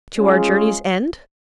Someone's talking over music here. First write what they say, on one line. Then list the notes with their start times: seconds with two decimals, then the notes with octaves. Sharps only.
"To our journey's end?"
0.17 G#3 C#4 F4 G#4